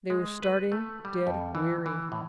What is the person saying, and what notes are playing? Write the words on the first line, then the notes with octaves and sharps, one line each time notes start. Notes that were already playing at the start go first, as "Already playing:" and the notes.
They were starting dead weary.
G#3
B4
A3
G3
F2
E3
E3
A2